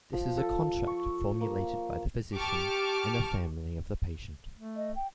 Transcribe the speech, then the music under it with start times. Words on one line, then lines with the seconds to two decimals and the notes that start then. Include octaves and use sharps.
This is a contract formulated by the physician and the family of the patient.
0.13 F3
0.37 A4
0.87 C#6
1.41 A#3
2.35 G4 A5 C#6 D6 F6
4.56 A3
4.77 D#5
4.96 G5